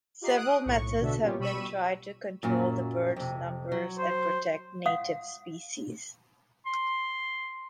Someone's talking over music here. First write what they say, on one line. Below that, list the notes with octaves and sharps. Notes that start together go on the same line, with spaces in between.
Several methods have been tried to control the bird's numbers and protect native species.
F4 G4 D#5 A#5 C7
D#6 F#6 D7
B1 A2 C#6
B2 D3 F#4 A4 E5
A#2 G3 B3 C#4 F4 G4
B2 G3 B5 C#6 E6 D#7
F#2 A#2 F#3
F2 C3
F#3
C5
F5 F#5 D#6
C6